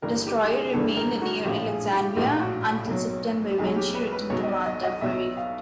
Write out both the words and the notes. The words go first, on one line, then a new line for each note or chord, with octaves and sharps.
The destroyer remained near Alexandria until September, when she returned to Malta for refit.
G1 G2 E3 A#4
G4
G4
G#4
G1 G2 E3 A4
A#4
F#4
A#1 A2 F3 G4
G#4
G4
A#1 A2 F3 G4
F#4
B1 B2 F#3
B1 B2 F#3 G#4
G4
B4
B4
B1 B2 F#3 C#5
D#5
D5
D#5
D#5
B1 B2 F#3 E5
F5